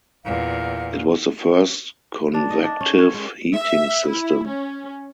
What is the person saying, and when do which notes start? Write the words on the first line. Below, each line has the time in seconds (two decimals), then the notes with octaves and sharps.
It was the first convective heating system.
0.25 E2 A#2 F5
2.34 D4
2.50 D#5
2.64 D4
2.81 C#4
2.98 C#5
3.14 G#3
3.55 E5
4.07 E4
4.47 C#4